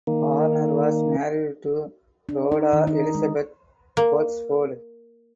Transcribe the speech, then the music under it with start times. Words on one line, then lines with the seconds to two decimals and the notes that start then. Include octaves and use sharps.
Warner was married to Rhoda Elizabeth Botsford.
0.07 D#3 A#3
2.29 D4
2.52 D#4
2.73 D#3
2.87 D#4
3.15 G#3
3.97 A#3